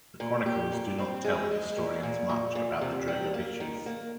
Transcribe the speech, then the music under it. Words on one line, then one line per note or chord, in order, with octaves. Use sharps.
The chronicles do not tell historians much about the Dregoviches.
A#2
G4
A#2
C4
G#3
G#3
A#2
A#2
A#2
A#2
C3
G3
A#3
D#3
A#3